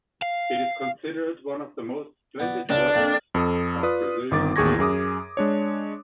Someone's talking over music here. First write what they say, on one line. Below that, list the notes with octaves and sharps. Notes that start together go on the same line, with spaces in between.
It is considered one of the most splendid works of Brazilian jewelry.
F5
B3 D5
C#2 D4
F2 A#3
F2 A4 D#6
F4 B4 D5 D#6
G1 D#3 D6 A6
A1 D#2 G#4 C#6 G#6 A#6
F#2 G#4 D6 D#6
G#3 D4 C#5